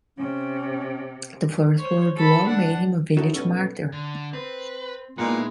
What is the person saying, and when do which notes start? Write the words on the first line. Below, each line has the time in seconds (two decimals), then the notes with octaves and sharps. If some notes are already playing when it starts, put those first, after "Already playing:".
The First World War made him a village martyr.
0.17 C3 C#4
1.78 C5 C#5
2.17 A4 B5
2.47 D4 F#5
3.17 D#4 E4 F#4 C#5 A5
3.33 B1 C#3 B3 C#4 A4
3.92 D3
4.33 C4 B4
5.18 A#2 G#3 B3 D#4 E4